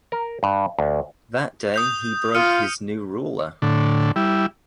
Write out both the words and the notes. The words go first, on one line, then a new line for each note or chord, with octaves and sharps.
That day he broke his new ruler.
A#4
G2
D2
D#6 G6 F7
F4 F6 C#7 D#7
A2 D3
G3 E4